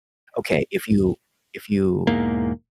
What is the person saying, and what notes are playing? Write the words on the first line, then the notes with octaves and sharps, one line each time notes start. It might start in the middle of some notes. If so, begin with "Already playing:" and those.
okay, if you if you
E1 E2 G#2 A#3